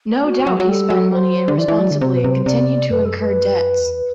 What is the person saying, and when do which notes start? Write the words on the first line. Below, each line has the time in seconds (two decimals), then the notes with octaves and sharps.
No doubt he spent money irresponsibly and continued to incur debts.
0.24 F#4
0.47 F#3
0.60 F#3
0.69 G3 A4
0.90 F#3
1.13 C5
1.48 D3
1.58 E3 D5
1.68 E3
1.79 F#3
1.91 D3
2.01 C3 C5
2.15 B2 B4
2.24 C3
2.31 C5
2.46 C3 D5
2.91 F#2 B4
3.05 A4
3.20 B4
3.79 E2